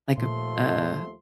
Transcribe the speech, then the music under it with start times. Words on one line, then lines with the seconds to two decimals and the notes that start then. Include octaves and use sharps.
like a, uh,
0.18 D#2 A#2 F3 A3 C6